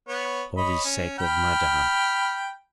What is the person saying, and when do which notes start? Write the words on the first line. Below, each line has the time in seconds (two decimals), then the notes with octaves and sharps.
For the sake of Madame.
0.08 B3 C#5
0.57 C#5 D#5 B5
0.84 C#4
1.18 G5 B5 F6